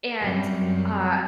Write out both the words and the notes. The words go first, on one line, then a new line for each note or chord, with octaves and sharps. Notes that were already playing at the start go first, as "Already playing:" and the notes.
And, uh,
F#2 C3 F#3 G3